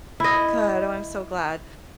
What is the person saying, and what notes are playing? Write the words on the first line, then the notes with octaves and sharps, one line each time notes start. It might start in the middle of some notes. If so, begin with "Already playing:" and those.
Good. Oh, I'm so glad.
E4 D#5